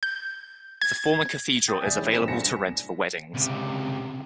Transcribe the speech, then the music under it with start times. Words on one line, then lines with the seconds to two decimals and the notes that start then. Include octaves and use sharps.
The former cathedral is available to rent for weddings.
0.03 G6
0.81 G#6
1.68 G5 D#6 G6 A6
1.81 D5 E5 G#5
1.98 E3 G#3 C#4 D4
2.11 A2 A3 C4 B6 E7
2.27 F1 G2 A#2 G#5 A#6 C#7
3.34 C#2 C3